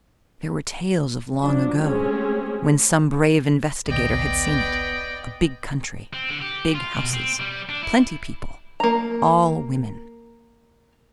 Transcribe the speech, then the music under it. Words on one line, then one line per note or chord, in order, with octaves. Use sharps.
But there were tales of long ago, when some brave investigator had seen it--a Big Country, Big Houses, Plenty People--All Women.
F3 F#3 D4
G#3 A3 C4 C#4 G4 G#4
A1 D2 B3 D5 D#5 G5
C4
D3
G4
F4
B2
C4
G3
D4
E4
A#3 A#5